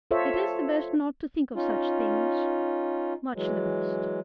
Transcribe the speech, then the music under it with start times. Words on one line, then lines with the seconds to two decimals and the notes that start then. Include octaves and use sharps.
It is the best not to think of such things--much the best.
0.11 F4 A4 C5 C#5 E5
1.54 C#4 D#4 F4
3.34 E3 F#3 G#3